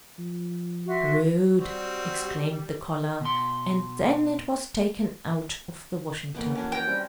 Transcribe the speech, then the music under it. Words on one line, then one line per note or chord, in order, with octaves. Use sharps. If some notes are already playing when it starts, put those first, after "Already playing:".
"Prude!" exclaimed the collar; and then it was taken out of the washing-tub.
F3
F#4 E5 C6
G3 C4 F#4
B2 C6
F2 E3 A#3 B3 G5
C#4 D4 F#4
G5 G#5 A#5
C3 G3 C#4